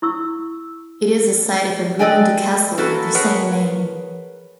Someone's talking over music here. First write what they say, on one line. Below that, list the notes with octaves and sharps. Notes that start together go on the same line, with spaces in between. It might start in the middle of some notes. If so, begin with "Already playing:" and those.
It is the site of a ruined castle of the same name.
E4 C#6 E6
A4 B4 D5 D#5 G5 G#5
E3 A#3 F#4 A4 B4
G#4 A#4 B4 C#5 F#5 A5